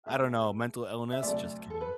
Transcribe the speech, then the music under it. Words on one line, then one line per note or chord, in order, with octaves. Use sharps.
I don't know. Mental illness? Just kidding.
E2 B2 A3 E5
E5
D2 C3 F#3 A3 D5
A4
B4